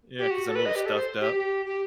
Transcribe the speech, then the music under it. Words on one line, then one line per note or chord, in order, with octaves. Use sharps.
Yeah, 'cause I'm a little stuffed up.
G4
F#4
A4
B4
D#5
G4
A4
C5
G4
G4
G4